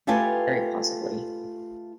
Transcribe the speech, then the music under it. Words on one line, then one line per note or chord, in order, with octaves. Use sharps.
Very possibly.
A3 F4 G4 B4 G#5 A5